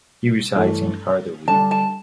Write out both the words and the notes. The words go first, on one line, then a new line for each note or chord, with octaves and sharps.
He resides in Harderwijk.
G2 E3 A3 D4 A4
D3 G3 D4 A5
A5